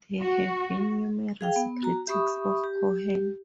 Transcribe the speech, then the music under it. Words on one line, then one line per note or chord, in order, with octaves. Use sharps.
There have been numerous critics of Cohen.
F#4
G#4 F5 G5
B3
F#4 A#5
G4 E5 B5 C#6 D#6
G4